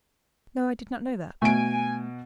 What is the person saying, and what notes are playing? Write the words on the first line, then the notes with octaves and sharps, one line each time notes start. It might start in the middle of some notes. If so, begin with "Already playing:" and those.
"No, I did not know that."
B2 A3 G#5 D7